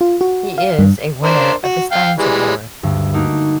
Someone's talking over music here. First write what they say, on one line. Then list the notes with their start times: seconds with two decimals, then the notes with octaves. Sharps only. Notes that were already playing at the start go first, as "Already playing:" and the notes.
He is a winner of the Stinnes Award.
0.01 F4
0.21 F#4
0.58 F5
0.79 G2
1.23 D4 A#4 C5
1.64 F#4
1.92 F5 G5
2.18 E3 G3 G#3
2.83 D2 G2
3.14 A3 A#3 D#4 F#4